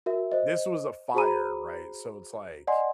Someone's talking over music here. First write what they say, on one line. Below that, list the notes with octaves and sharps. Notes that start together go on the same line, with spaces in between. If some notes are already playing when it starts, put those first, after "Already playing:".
This was a fire, right? So it's like,
F#4 A#4 E5
C5 D#5
F#4 G#4 C5 A#5 B5 D#7
D5 D#5 F#5 G#5 C6